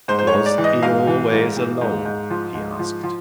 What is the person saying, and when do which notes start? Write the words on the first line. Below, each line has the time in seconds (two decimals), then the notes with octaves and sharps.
"Was he always alone?" he asked.
0.08 G#2 C5
0.19 C5
0.27 C#5
0.33 G#2
0.46 D5
0.58 E3
0.64 D#5
0.83 G#2 F5
1.07 E3
1.31 G#2
1.57 E3
1.81 G#2
2.05 G#2
2.30 F3
2.55 G#2
2.79 F3
3.03 F3